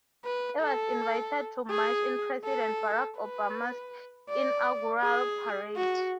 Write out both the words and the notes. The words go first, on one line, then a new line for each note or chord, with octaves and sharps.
It was invited to march in President Barack Obama's inaugural parade.
B4
A4
G#4
A4
B4
D5
G#4
F#4